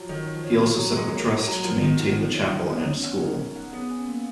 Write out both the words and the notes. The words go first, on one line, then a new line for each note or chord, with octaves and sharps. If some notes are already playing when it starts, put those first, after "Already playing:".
He also set up a trust to maintain the chapel and school.
Already playing: F3 F#3
D#3 C#5
C#5
F3
C#5
D#3
F3 F#4
F#3 C#5
G#3 A#4
A#3 C#5
C#5
F#3 A#4
F3 F#5
D#3 D#4
F3 F#5
D#4
C#5
D#4
B3 F#5
C#4 C#5
C#4 F#5
A#4
D#4
F#5
B3 G#4
C#4
A#3